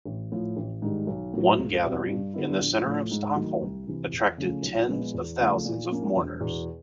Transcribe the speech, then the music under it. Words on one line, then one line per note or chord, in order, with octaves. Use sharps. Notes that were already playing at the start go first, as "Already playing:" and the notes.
One gathering, in the centre of Stockholm, attracted tens of thousands of mourners.
A1
A2 F3
A1
G#2 D#3 G3
B1
A2 F#3
C#2
B2 G3 C4
G2
D3 G3 B3 E4
A#1
A2 F3 A3
G#2
D#3 F#3 A3
C2
C3 E3
E2
C#3 F3 A3 C#4
B1
A#2 F3 G#3 B3
E2
C#3 F3 A3
A#2
F3 A#3 C#4
E1
E2 B2